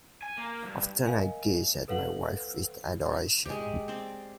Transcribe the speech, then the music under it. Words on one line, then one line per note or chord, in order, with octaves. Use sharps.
Often I gaze at my wife with adoration.
G#5
A#3
C#2 G2
A#4 D#5 F5 G#5
A4 B4 C#5 F5 F#5 F#7
G#3 G4
C4 C5 D5